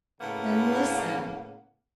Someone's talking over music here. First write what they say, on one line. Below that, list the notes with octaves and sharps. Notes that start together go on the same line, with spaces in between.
"Then, listen!"
A2 C#3 A#3 B3